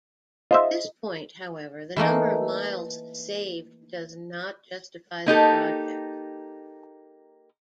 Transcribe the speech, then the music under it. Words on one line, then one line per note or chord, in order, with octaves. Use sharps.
At this point, however, the number of miles saved does not justify the project.
F4 C5 D#5 E5
E3 A3 A#3 D#4
A#3 D#4 G4 A4